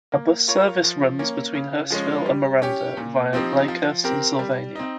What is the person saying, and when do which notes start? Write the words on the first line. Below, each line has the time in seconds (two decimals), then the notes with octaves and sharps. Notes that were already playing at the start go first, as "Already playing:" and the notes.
A bus service runs between Hurstville and Miranda via Blakehurst and Sylvania.
0.12 A#3
0.48 F4 A#4 C#5
0.84 F3
1.19 A#3 C#4
1.55 C#3
1.90 F3 G#3 C#4
2.26 G3
2.62 C#4 G4
2.97 A#2
3.33 F3 C4 D#4 G4
3.68 F3
4.04 C4 G4 A#4
4.39 G3
4.76 C4 D#4